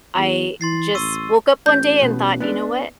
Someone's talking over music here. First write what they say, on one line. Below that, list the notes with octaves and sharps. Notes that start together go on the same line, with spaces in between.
I just woke up one day and thought, "You know what?"
E2
E3 C6 A6 C7
A1 C#6 E6 D#7
A1 G6
B2
B3 D4